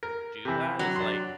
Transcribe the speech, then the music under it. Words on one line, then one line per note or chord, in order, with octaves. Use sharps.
do that is, like,
A#4
C3 E3
F#3
D4 C6